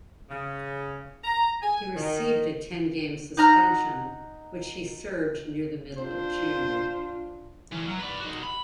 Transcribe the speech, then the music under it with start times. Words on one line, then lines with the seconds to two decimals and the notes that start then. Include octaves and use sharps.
He received a ten-game suspension, which he served near the middle of June.
0.30 C#3
1.24 A#5
1.62 G#5
1.95 D#3
3.37 D#4 F#5 A#5 F6
5.97 D4 F4 C5
7.72 E3 C#4
7.87 F#3
7.99 B4 D5
8.20 D#4 F#4
8.43 B5